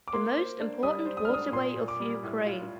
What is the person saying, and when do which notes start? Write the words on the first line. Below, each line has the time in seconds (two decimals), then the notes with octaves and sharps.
The most important waterway of Ukraine.
0.08 D6
0.13 A#3 C6
0.36 C5
0.60 D4
0.82 G3 D#6
1.05 C5
1.17 D#6
1.25 F6
1.29 D4 D#6
1.52 A#2 C6
1.75 A#2
1.88 D6
2.00 G3
2.23 A2
2.45 F4